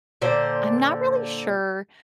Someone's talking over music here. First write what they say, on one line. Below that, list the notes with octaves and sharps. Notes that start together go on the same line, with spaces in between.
I'm not really sure.
A#2 D3 C5